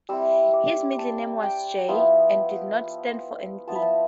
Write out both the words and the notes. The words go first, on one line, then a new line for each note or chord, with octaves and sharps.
His middle name was "J" and did not stand for anything.
G3 C4 E4 E6
D6
A5
G5
F3 B3 E4
F3 B3 E4 A5
B5
A5